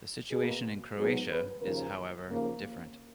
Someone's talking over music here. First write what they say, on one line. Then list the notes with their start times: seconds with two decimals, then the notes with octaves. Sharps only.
The situation in Croatia, is however, different.
0.31 B2 A#3 G#4
0.97 G#2 F#3 B3 G#4
1.30 B4
1.62 D#2 C#3 F3 A#4
2.28 D#2 C#3 F3 A#3